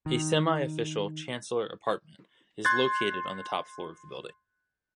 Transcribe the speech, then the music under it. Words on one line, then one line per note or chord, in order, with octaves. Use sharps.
A semi official Chancellor apartment is located on the top floor of the building.
D#3
C6 F#6 G#6 A6